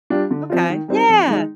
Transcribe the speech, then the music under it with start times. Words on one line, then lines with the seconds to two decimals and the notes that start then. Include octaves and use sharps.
Ma okay, yeah.
0.10 G3 D4 F4
0.31 D3
0.50 F3 C4 F4
0.70 D#3
0.88 G3 C4 D#4
1.08 F2
1.27 D#3 G#3 D#4